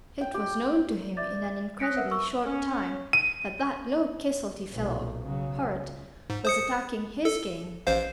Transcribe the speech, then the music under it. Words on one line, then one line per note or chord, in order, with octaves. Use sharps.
It was known to him in an incredibly short time that that "low caselty fellow Hurd" was attacking "his" game.
G5
G4
D5 E5 D6 G6 A6
D#6 F#6 A#6 B6 C#7 D7
A#4 B4 E5 F#5
C#6 E6
C#4
D#7
B1 A#2
C#3 F#3
C#2
G#2
C5 D#6 C#7
A4
A1 C5 F5